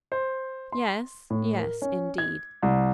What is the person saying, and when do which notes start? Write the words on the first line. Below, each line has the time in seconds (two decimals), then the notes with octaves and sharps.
'Yes, yes, indeed.
0.12 C5
0.72 C6
1.30 A2
1.58 A#4
1.82 C#4
2.18 G#6
2.63 C2